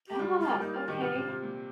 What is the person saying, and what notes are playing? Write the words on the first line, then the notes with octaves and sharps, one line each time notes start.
Ah, okay.
G4
G3 F4
G3 F4
G3
A#3 D#4
F4
D#3 G4
C3 F4
C3
C3
A#2